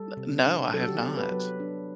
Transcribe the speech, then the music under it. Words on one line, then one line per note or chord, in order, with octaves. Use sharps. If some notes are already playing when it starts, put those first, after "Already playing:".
N no, I have not.
Already playing: G3 A4
C3
D4
F#3 A4
F#4
G4
B3
B4
F#3 B4
D4